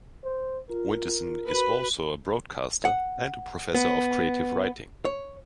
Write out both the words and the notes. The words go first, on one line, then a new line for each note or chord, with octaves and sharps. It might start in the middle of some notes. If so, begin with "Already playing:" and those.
Winterson is also a broadcaster and a professor of creative writing.
C5
F4 A#4
F#4 B4 B5
F#5
B3
C#5